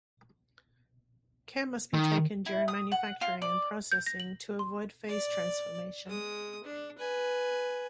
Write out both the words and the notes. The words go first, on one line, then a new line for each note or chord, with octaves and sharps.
Care must be taken during manufacturing and processing to avoid phase transformation.
D#3
E4
D#6
F#5
F4
D5
G6
A#6
F#7
C6
D5
G#3 D#6
D4
B4 G#5